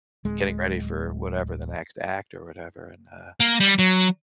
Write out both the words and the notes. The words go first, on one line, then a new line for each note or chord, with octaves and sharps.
getting ready for whatever, the next act or whatever, and, uh,
D1 G#3
A#3
G3
F#3